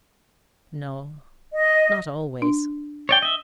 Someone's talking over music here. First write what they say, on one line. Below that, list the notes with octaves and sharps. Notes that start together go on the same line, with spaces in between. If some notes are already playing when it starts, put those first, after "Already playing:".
"No, not always."
D#5
D4
C#5 D5 G5
D#5 E5